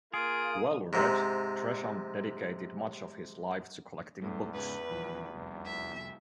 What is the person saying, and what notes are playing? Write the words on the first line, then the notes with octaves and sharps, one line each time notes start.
Well-read, Tresham dedicated much of his life to collecting books.
A#3 F4 G#4 D#6 D7
G#2 C3
E2 A2
G#2 C#3 B4
D#1 E3 F3
F1 C2
E5